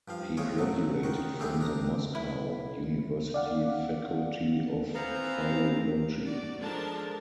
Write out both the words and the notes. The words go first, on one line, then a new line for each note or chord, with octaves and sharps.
He graduated from the Moscow University faculty of philology.
G2 F3 F5
A1 F2 F4 G#4 C#5 G5
B2 F#3 A3
D#3 F#4 C5
G3 A3 C4 G#4 F5
D4 A#5
E4
D5 F5 F#5
A#2 E3 B3 C4 C5 F5 A#5
F#4 D5
F3 G#3 D4 A4 A#4 A5